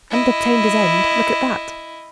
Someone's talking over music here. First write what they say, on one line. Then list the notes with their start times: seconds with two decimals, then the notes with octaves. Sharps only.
"And obtained his end; look at that."
0.11 E4 D#5